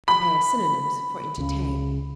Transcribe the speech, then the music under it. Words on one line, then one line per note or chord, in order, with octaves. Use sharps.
Compare synonyms for ENTERTAIN.
B5
C#2 C#3